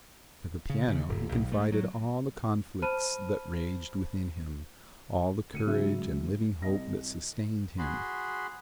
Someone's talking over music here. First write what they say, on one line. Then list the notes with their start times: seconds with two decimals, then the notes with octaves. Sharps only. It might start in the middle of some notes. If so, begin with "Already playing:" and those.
To the piano he confided all the conflicts that raged within him, all the courage and living hope that sustained him.
0.70 C#3
0.88 C#3
1.09 D#1
1.32 B1
1.52 A3
1.72 F#3
2.82 C5 A5 B5 F6 D#7
5.53 D2 C#7 D#7
5.66 C#3 F#3 G#3 F#4 E5 E6
6.62 C2 D#5 A#6
7.78 F#4 G#4 B5 C6